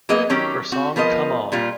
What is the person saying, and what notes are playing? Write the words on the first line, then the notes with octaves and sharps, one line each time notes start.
Her song Come On!
F#3 A#3 B3 G#4 D#5
D#3 F#3 C#4 G4
C4 F#4
F3 B3 A#4 C5 D#5
A#2 G3 F4